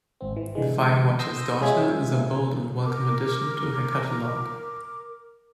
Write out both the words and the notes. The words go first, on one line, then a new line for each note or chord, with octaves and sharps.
The Firewatcher's Daughter is a bold and welcome addition to her catalogue.
G#1 C4
E3
D3 E3 G#3
C6 D#6 E6 G6 A#6
G#3 C#4 F4 G#4 E5 G#6
A#4 D6